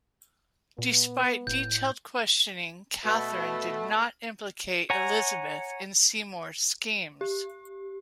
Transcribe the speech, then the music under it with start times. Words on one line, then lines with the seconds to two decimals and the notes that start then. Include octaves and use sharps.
Despite detailed questioning, Katherine did not implicate Elizabeth in Seymour's schemes.
0.79 A#2 B3
1.47 E1 A2 G6
3.05 B2 A3
4.90 C#5 F#5 G#5 A#5
7.21 G4